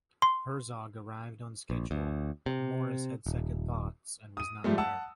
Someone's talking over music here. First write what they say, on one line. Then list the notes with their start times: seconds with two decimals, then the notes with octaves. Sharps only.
Herzog arrived on schedule, but Morris had second thoughts and was not there.
0.22 C6
1.70 A#1
1.91 D2
2.46 C3
3.26 D#1
4.37 D#6 D#7
4.64 G#2 F3 G3 A3
4.78 F#5 A5 E6